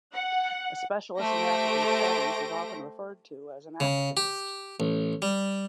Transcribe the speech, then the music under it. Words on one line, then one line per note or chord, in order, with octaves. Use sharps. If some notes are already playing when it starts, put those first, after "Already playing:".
A specialist in African studies is often referred to as an "Africanist".
F#5
A3 G4 C5 A#6 D7
C#3
G4
A1
G3